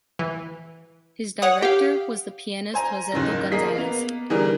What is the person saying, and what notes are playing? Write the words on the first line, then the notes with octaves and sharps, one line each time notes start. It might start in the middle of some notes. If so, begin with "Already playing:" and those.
His Director was the pianist Joseito Gonzalez.
E3
C#5 F#5 D#6
G4 F5
C5 G#5 A#5
F#1 D#2 C#3 A#6
A#3 G#4 A#4 D#5 B6 C7
A#3 B3 F7
D3 E3 G3 D#4 G#4 A#4